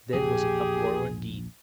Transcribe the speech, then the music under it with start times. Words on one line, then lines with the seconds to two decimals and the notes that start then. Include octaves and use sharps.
Then was an uproar indeed.
0.14 A#1 E2 A#2 G4 G#4